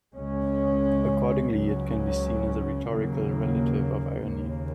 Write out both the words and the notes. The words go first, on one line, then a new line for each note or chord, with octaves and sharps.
Accordingly, it can be seen as a rhetorical relative of irony.
C#2 C#3 G#3 C#4
C#2 C#3 F#3 C#4
D#2 C#3 F#3 A#3
D#2 C#3 A#3